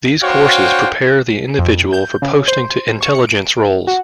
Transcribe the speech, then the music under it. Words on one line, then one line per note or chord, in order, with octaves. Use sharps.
These courses prepare the individual for posting to intelligence roles.
D4 F#4 C5 C#5 F5 G5
F2
G6
C#3
C5
C#6
C#7
D7
F#4